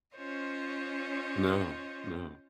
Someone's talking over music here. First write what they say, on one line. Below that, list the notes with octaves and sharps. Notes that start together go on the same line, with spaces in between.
No. No.
C#4 F4 C5 C#5 D#5